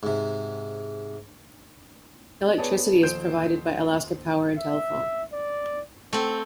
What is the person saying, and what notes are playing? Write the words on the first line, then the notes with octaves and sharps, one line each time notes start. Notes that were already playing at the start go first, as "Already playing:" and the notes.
Electricity is provided by Alaska Power and Telephone.
G#2 C3
B3 G#4 C#5 D5 A5
D#1 F3 C5 G6 D7 E7
E5
D5
A3 C4 C5